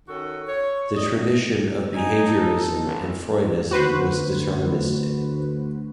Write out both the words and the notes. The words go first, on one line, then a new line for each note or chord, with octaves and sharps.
The tradition of behaviourism and Freudism was deterministic.
D#3 C#4 F#4 A4
C#5
D5 D#5
F#2
D#4 G#5
A4
A1
D2 F#4 B4 C5